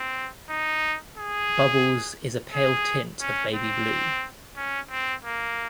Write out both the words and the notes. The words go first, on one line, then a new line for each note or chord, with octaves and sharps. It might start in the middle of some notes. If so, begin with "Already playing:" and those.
Bubbles is a pale tint of baby blue.
Already playing: C4
D#4
G#4
G#4
C#4
C4
C#4
C4
A#3